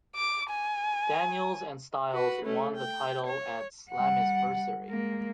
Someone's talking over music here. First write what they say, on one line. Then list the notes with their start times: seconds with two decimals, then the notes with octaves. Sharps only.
Daniels and Styles won the title at Slammiversary.
0.16 D6
0.50 G#5
2.13 F#4 B4
2.45 A3 C#4
2.76 G5
3.27 C#5
3.91 G3 F#5
4.85 G#3 A#3